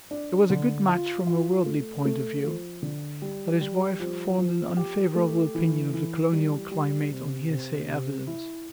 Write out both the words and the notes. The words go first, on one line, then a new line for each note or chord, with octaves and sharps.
It was a good match from a worldly point of view, but his wife formed an unfavourable opinion of the colonial climate on hearsay evidence.
D4
D3
F4
F4
A3
A3
F3
D3
G3
G3
F3
F3
G4
A3
E3
E3
G3
G3
C3
C3
C3
E4